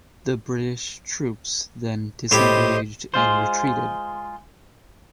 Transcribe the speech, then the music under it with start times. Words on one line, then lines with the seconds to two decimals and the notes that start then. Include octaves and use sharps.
The British troops then disengaged and retreated.
2.31 A2 E4 G4 C5 D#5
3.14 G#3 F4 C5